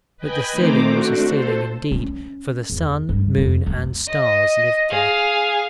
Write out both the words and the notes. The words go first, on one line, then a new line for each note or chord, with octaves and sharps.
But the ceiling was a ceiling indeed; for the sun, moon, and stars lived there.
B4 D#5 G5 G#5 B5
D#3 A3 C4 C5 A#5 D6
A3 D4 F#4
A4 C5
C#4
E2
G2
F2
B3
D#5
G#4 F5